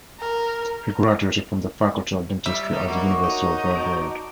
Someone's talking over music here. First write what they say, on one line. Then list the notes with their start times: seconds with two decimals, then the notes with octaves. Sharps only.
He graduated from the Faculty of Dentistry at the University of Belgrade.
0.20 A#4
2.46 G3 E5
2.73 G3 A#4 C#5 D#5 F#5
2.88 A#3 F#4
3.24 D#4
3.76 D5 A5 A#5